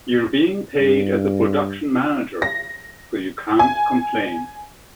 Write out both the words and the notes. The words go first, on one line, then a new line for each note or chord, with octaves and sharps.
You're being paid as a production manager, so you can't complain.
G2
A#6
G#5